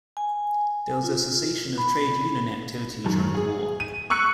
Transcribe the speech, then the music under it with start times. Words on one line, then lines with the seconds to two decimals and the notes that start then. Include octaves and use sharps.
There was a cessation of Trade Union activity during the war.
0.17 G#5
1.04 F4
1.78 B5
3.04 F#2 D#3
3.35 G#4
3.80 D#7
4.10 C#6 E6 F#6 C#7